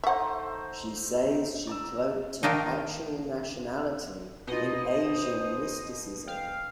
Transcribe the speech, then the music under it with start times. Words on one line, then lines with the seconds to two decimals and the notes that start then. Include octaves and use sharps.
She says she cloaked her actual nationality in Asian mysticism.
0.04 A3 D#4 C5 E5 F#5
1.67 D5 A#5 E6
2.43 D#3 A#3 D4 D#4
4.47 B2 D#4 F4 D#5
4.82 C5
6.27 F5 G5